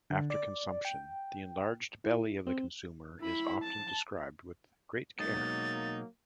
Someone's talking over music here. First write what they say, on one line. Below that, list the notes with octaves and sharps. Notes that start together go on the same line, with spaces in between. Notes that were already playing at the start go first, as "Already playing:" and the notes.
After consumption, the enlarged belly of the consumer is often described with great care.
D3
D5
G5
E4
C4
E4 B5
A5
B2 F#3 G#3 A#3 D#4 A6